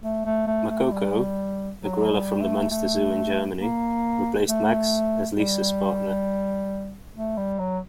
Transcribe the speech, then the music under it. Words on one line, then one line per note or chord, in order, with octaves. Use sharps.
Makoko, a gorilla from the Munster Zoo in Germany, replaced Max as Lisa's partner.
A3
A3
A3
A3
G3
F#3
G3
A3
A3
A#3
A3
G3
A3
G3
F#3